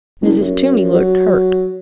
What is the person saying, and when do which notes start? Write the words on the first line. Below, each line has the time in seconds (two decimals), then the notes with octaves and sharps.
Mrs. Toomey looked hurt.
0.21 F#1
0.41 F#2
0.93 F#3